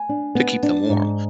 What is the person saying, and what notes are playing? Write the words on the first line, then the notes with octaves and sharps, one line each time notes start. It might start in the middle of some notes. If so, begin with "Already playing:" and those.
to keep them warm.
Already playing: G#5
D4
B3
D4
G#2